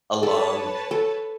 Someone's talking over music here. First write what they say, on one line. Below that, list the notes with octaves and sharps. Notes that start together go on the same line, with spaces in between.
a lung,
A4 B4 C#5 A5
A4